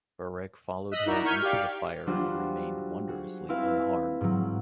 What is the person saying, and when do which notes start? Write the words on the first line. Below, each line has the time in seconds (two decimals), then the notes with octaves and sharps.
Barek followed him into the fire and remained wondrously unharmed.
0.91 D#5 E6 F#6 B6
1.06 D#4 E4 F#4 A#4 D5
1.25 C#6 F6 G6 G#6 B6 D#7
1.42 G4 D5 F5
2.06 F#3 G3 D4 F4 F#4 C5
3.08 F#4 G#4
3.49 C4 E4 B4 F5
4.21 G#2 F#3